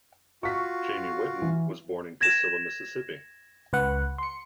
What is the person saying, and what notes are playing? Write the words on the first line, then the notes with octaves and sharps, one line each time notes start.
Jamie Whitten was born in Cascilla, Mississippi.
F4 F#4 C#6 B6
E3
G#6 A#6 E7
C#2 B4 F#5
C6 C#7